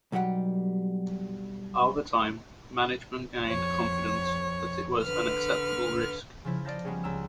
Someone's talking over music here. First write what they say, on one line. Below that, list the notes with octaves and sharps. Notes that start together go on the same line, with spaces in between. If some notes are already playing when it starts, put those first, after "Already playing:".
Over time, management gained confidence that it was an acceptable risk.
B1 F#3 G3 G4 F#5
F2 C#5
D3 B4 F6
C#3 F3 E4
D5 D#5 F5 A5 G6 A#6
G3 G#3 B3 C#4 G#4
C#2 A#5 E6